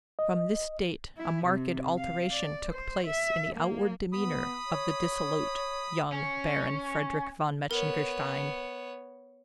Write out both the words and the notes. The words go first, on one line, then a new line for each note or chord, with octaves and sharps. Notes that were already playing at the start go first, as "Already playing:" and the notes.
From this date a marked alteration took place in the outward demeanor of the dissolute young Baron Frederick Von Metzengerstein.
D#5
E4
C3
F5
D5
C5
E5
A#3
B3 B5 D#6
C#5
C#4
B3 A#4 C#5